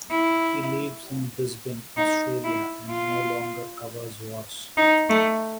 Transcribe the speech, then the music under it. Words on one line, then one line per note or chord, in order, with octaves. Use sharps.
He lives in Brisbane, Australia and no longer covers wars.
E4
D#4
E4
F4
D#4
A3